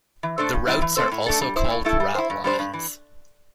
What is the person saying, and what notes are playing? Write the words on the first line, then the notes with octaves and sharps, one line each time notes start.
The routes are also called ratlines.
E3
A3 D4 A4 C5
G2
G3 C4 E4
E3
A3 C4 A4 C5
A2
A3 D4 A4
G3
E4 C5
A2
A3 E4 A4
G3
E4 C5
G2
G3 D4 C5
G2
E3